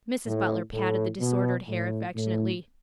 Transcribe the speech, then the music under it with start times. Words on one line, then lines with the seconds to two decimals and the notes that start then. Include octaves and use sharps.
Mrs. Butler patted the disordered hair affectionately.
0.25 A2
0.72 A2
1.20 B2
1.68 A2
2.15 A2